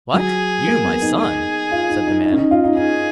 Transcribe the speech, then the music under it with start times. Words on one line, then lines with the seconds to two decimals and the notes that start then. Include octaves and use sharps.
'What, you my son!' said the man.
0.14 F#3 G#4
0.67 A#3
0.85 B3
1.02 D#4
1.19 G#4
1.72 F4
1.90 D#4
2.07 D#4
2.24 D#4
2.32 C#4
2.38 D#4
2.51 F4
2.64 D#4
2.76 D#4 G#4